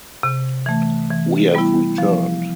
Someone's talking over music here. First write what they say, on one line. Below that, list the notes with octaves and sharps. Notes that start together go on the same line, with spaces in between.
We have returned.
C3
E3 A3
E3
G3 B3 E4
F3